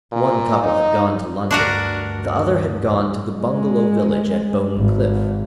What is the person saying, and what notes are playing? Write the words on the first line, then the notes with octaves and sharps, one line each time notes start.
One couple had gone to London; the other had gone to the Bungalow village at Bone Cliff.
A#2
D#4
D2 G2 D4 F#4 A#4
G#3
G#1